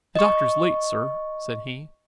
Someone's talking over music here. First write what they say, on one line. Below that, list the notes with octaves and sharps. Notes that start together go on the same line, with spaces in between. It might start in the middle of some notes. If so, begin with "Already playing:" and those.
"The Doctor's late, sir," said he.
D#5 C#6